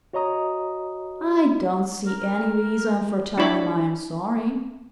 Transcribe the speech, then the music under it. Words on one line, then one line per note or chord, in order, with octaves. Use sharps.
I don't see any reason for telling him I am sorry.
F#4 C#5 D#5 A#5 D#6
A#4
D4 E4 G4 C#5 B5 D6